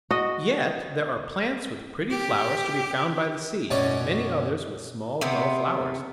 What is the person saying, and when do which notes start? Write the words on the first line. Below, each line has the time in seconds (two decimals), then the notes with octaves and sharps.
Yet there are plants with pretty flowers to be found by the sea, and many others with small, dull flowers.
0.11 F#4 D#5
2.10 G4
3.71 F#2 B2 C#4 D5 D6
5.21 C3 B3 C4